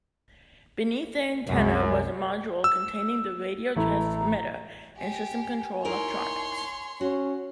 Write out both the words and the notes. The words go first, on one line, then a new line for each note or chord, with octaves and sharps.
Beneath the antenna was a module containing the radio transmitter and system control electronics.
C2 F#2 C3 G#3
E6
A1 E3 A3 E4 A#5
G4 G#5
D#4 E4 A#4 C#5 C6
C#4 F#4